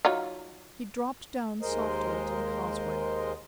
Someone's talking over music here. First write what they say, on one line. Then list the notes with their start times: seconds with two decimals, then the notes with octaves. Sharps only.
He dropped down softly to the causeway.
0.05 F#3 D#4 F4
1.62 D#2 G#3 A#4 C5 D#5